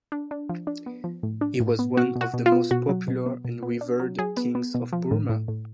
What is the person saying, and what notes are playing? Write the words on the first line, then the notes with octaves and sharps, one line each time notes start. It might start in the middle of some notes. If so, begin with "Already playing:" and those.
He was one of the most popular and revered kings of Burma.
D4
D4
F3
D4
B3
F3
A2
D4
A2
B3
B2 F#4
B2
F#4
B2
F4
B3
B2 F#4
F#3
B2
B3
B2
B3
D4
F#3
F#3 G#4
B3
B3
B2
F3
A2
A2
A2